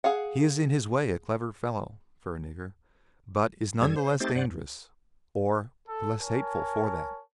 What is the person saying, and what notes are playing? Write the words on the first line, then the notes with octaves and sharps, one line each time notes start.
He is in his way a clever fellow--for a nigger; but is none the less dangerous or the less hateful for that.
G#4 F5 F#5
F#2 G3 A4 G#6
C5
A3 C4 D#4 G4 C5 A6
G2 C5 D5 F#5
E2
A4
A#4 C#5 G#5 A5